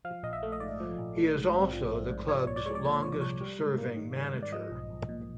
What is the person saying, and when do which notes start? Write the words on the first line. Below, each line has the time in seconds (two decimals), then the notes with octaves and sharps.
He is also the club's longest serving manager.
0.05 F3 F5
0.23 A#1 D#5
0.33 E5
0.43 A3
0.52 D#5
0.60 G#2 D5
0.80 F3
0.98 A#1
1.16 A3
1.35 G#2
1.54 C4
1.73 F3
1.92 A3
2.10 G#2
2.28 F3 C#5
2.38 D5
2.47 C2 C#5
2.56 D5
2.66 G#3 C#5
2.75 D5
2.84 A#2 C#5
2.93 D5
3.02 F3 C#5
3.13 D5
3.21 C2 C#5
3.41 G3
3.59 G#2
3.78 A#3
3.97 D#3
4.15 G3
4.34 G#2
4.42 D5
4.52 F3 D#5
4.71 B1
4.90 B1
5.09 A#2